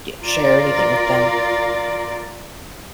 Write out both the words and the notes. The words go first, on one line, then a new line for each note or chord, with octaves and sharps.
ge share anything with them-
F4 A#4 D5